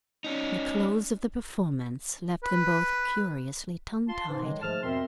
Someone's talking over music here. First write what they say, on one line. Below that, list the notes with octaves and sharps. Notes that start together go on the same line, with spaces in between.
The close of the performance left them both curiously tongue-tied.
C#4 D#4
B4
F4 A5 C6
G#2 E3
D3 D#3 F#3 G#3
G#2 F3 A3 G#4 A5 F6
E2 B2 C4 A#4 E5 C6